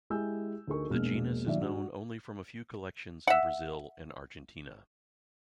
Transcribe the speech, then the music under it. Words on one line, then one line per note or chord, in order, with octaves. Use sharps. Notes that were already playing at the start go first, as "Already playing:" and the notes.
The genus is known only from a few collections in Brazil and Argentina.
G#3 E4 G4 G#5 E6 G6
D2 A3 D#4 G#4 A#4 C#6
E1 A#1 B2 G#3 A#3 F6
A#2 D#3 F#3 D5 E5
G2 F#4
E5 F#5